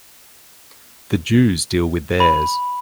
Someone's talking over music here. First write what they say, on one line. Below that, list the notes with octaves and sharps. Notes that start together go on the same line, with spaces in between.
The Jews deal with theirs.
B5